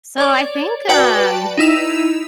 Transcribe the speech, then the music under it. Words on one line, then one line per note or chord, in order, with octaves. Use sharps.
So, I think, um
C#5 D5
F#4 B4 D5 G5 A5
D#4 E4 E6 F7